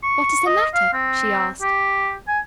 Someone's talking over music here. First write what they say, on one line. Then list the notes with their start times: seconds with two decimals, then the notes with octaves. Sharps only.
"What is the matter?" she asked.
0.03 C#6
0.46 D#5
0.74 F5
0.93 C4
1.62 G4
2.28 G#5